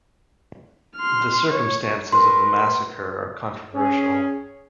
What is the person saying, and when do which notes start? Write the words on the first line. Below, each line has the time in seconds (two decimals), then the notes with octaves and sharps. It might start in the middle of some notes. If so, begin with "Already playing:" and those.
The circumstances of the massacre are controversial.
0.97 C6 F6
1.50 C#5
2.12 A#4 B4 C6
3.75 C#4 G#4